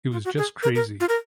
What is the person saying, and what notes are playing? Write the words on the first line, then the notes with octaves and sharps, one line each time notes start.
It was just crazy.
F4
F#4
G#4
A#4
A#4
F4
A#4